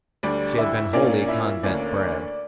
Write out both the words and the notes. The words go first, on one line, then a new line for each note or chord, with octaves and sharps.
She had been wholly convent-bred.
D2 D3 G3 D4 D5
E4 E5
A#2 A#3 C#4 D4 D5
E4 E5
D2 D3 A#3 C#4 D4 D5